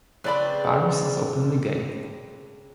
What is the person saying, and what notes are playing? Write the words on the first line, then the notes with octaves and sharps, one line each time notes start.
Barnes is openly gay.
C#3 C4 D4 B4 D5 B5